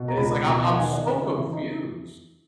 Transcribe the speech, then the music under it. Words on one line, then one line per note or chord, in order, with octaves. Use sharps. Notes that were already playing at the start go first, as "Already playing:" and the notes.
It's like I'm I'm so confused.
Already playing: B2
A#5
C#2 B5
B2 A#5
F#5
D#2 G#5
D#5
C#3
E4
E3 E4
D#4